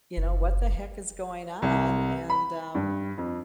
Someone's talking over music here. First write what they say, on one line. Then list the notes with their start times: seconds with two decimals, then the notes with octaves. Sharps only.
you know, what the heck is going on and, um,
0.17 F#1
1.62 C2
2.30 B5
2.75 G2
3.18 F2